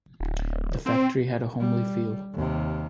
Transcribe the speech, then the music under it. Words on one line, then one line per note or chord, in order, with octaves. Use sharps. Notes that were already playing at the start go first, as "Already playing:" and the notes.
The factory had a homely feel.
D1
C4
G3
D#2 C3